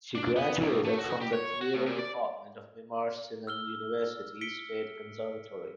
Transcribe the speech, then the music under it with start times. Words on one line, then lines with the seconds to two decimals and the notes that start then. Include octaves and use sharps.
She graduated from the Theater Department of Mimar Sinan University State Conservatory.
0.15 D4
0.36 B3
0.61 C#2
0.85 A3
0.99 F#4
1.21 G4
1.33 C#5
1.61 F#4
1.74 A2
1.86 A#2
1.99 D5
3.47 E6 F6 G7
4.41 B6 C#7 D7 G7